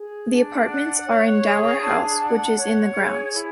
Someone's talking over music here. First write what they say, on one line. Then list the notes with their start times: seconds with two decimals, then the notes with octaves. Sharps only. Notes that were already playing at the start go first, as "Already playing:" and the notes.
The apartments are in Dower House which is in the grounds.
Already playing: G#4
0.28 D4
0.67 F#5
1.05 C#5
1.44 G#4
1.81 D4
2.19 F#5
2.57 C#5
2.95 G#4
3.33 E4